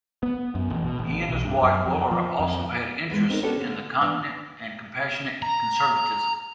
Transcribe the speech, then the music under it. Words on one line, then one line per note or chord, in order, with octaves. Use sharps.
He and his wife, Laura, also had interest in the continent and compassionate conservatism.
B3
F#2
A1
B2
A1
B1
G2
F#2
F2
F3
F2
E2 E3 G#3 B4
C4 D#4 G4 A#4
B3 C#4 D4 F#4 G4 A4
D3
E3 D4
A#5